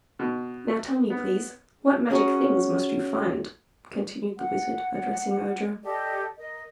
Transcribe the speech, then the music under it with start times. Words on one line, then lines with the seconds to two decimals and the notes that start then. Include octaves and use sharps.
"Now tell me, please, what magic things must you find?" continued the Wizard, addressing Ojo.
0.19 B2
1.10 B3
2.10 C#4 F#4 G#4 A#4 C#5
4.37 F#5
5.83 G4 A4 D5 D#5
6.36 A#4 D#5